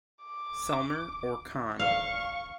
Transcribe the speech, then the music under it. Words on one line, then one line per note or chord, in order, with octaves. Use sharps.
Selmer or Conn.
D6
F5 C#6